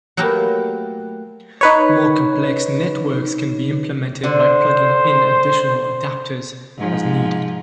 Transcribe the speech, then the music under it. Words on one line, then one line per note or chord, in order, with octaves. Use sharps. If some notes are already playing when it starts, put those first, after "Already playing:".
More complex networks can be implemented by plugging in additional adapters as needed.
F#3 A3 A#3 G4 A#4 B4
D#4 B4 C#5
D3 C5
G#2 F3